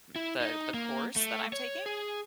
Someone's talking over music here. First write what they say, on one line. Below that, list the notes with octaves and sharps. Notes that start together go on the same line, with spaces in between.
m the the course that I'm taking,
E4
D#4
A#3
A3
C#5
G#4